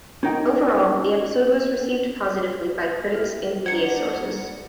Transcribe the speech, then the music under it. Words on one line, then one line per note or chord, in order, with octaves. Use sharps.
Overall, the episode was received positively by critics and media sources.
C#4 D#4 A#4 G5
E4 G4 F6
D4 D#4 C5 D5 F#5 G#6 C#7
G3